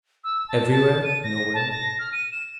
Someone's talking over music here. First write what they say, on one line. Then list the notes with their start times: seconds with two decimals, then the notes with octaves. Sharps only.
"Everywhere; nowhere."
0.24 E6
0.49 A5
0.71 A5
1.04 D#7
1.24 A#6
1.54 A5
1.72 A#6
1.99 F6
2.13 D#7
2.32 E7